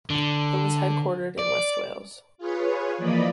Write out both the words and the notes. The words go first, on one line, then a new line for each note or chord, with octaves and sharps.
It is headquartered in west Wales.
D3
D5
F4 G#4 B4 C#5
E3 F3 A#3 D5 D#5 B5